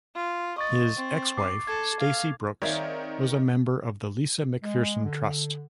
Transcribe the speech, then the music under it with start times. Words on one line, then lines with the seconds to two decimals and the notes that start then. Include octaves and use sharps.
His ex-wife, Stacy Brooks, was a member of the Lisa McPherson Trust.
0.15 F4
0.58 D#5 C#6 A6
0.97 C4
1.37 D6 C7
1.67 A4 G#6
2.00 F5
2.62 D#3 C4 G#4 C#5 D5 E5 F5
4.64 G#3
5.04 D3